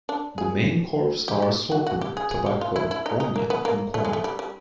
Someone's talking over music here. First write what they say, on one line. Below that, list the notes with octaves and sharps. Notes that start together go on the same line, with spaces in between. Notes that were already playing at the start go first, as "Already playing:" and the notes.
The main crops are sorghum, tobacco, onion and corn.
D4
G#4
G4
G4
F#4
F#4
G4
G#4
G#4
G4
F4
E4
E4
D#4
D#4
A#3
B3
A#3
A3
G#3
A3
G3
G3